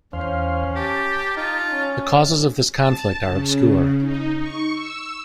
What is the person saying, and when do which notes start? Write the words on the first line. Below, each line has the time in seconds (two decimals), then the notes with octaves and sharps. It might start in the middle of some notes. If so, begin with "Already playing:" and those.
The causes of this conflict are obscure.
0.13 E2 C#4 C5 F5
0.75 G4 A5
1.37 D#4 F4
1.72 C#4
2.71 A5
3.21 C#3
4.00 D#4
4.39 C#6
4.73 E6